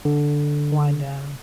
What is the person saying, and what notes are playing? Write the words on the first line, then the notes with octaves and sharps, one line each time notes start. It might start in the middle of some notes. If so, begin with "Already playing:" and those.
Wind down.
D3